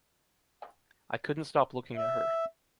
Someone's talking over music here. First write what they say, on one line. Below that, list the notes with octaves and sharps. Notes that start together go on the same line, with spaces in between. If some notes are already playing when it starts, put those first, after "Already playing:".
I couldn’t stop looking at her.
E5